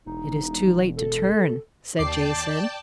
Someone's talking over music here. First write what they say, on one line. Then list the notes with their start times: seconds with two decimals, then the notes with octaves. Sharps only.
"It is too late to turn," said Jason.
0.07 E1 D#4
0.97 A4
1.98 D#2 D5 G5 A5 D6 C7